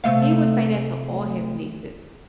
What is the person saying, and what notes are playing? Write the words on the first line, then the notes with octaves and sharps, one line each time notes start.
He would say that to all his nieces.
C3 A3 F5